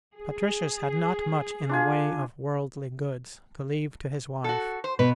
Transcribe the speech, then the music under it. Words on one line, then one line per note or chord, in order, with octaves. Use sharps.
Patricius had not much in the way of worldly goods to leave to his wife.
G#4
D4 F4 G#5
F#4 A4
C5
B2 B4